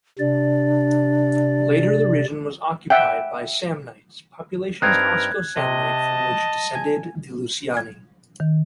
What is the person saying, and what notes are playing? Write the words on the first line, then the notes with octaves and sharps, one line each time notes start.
Later the region was occupied by Samnites, populations Osco-Samnite from which descend the Luciani.
C3 D4 D5
E5 F#5 G5
G2 C4 D#4 A#4 B4 F#6 G#6
C3 D#5 A5
G#5
G#6
D#3